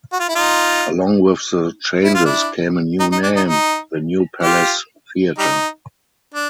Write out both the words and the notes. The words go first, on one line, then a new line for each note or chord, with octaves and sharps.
Along with the changes came a new name, the "New Palace Theatre".
F#4
F4
E4
D#4 F4
E4
F4
D4 E4
D#4
D#4
D4
D#4
D#4
F4 G4
G3 D#4
D4